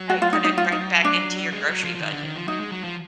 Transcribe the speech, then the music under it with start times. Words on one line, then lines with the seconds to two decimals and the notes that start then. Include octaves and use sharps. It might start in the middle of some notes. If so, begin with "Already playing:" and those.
Right put it right back into your grocery budget.
Already playing: F#3
0.10 F#4
0.22 F4
0.33 D#4
0.44 D#4
0.58 F4
0.72 D#4
1.05 D4
1.53 G#3
1.69 F#3
1.84 F3
1.95 F3
2.00 D#3
2.12 D3
2.24 D#3
2.36 F3
2.48 F#3 D#4
2.60 G#3
2.72 F#3
2.84 F3